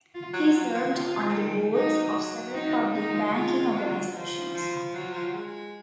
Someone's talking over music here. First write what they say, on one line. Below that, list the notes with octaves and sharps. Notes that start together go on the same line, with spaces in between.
He served on the boards of several public banking organizations.
F4
F#3
F#3 F4
F3
C3 F4
F3
D#3
F#3 D#4
D#4
C#3 D#4
D#3
F3
F#3
G#3 F4
F#3
F3
F3
F#3 F4
F3
F#3
G#3